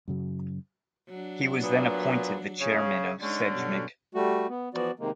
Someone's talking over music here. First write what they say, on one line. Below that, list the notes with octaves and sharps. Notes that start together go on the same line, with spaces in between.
He was then appointed the Chairman of "sejmik".
F#2 C#3 F#3
F#3 D4
A#2 B3
C#3
D3 G#3 C#4 D#4
G2 B2 F#3
G3 A3 F#4
B3
E3 F3 B3 F#4 D5
C3 D#3 G#3 A#3